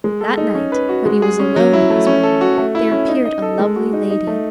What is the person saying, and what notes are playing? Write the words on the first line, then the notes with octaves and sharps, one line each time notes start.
That night when he was alone in his room, there appeared a lovely lady.
G#3
A4
D#4
C#4
B4
F#4
G#3
G#4
C#4
F#3
E4
A3
C#4
A4
F#4
A3
E4
C#4
D#4
D#5
A4
G#3
F#4
D#4
D#4
A3